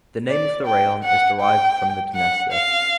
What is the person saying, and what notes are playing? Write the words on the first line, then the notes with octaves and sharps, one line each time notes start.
The name of the raion is derived from the Dniester.
D5
G5
F#5
G5
F#5
F5